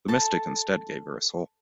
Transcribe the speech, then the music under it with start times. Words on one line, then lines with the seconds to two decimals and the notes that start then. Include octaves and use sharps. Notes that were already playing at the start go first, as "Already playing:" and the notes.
The mystic instead gave her a soul.
0.08 A4 A5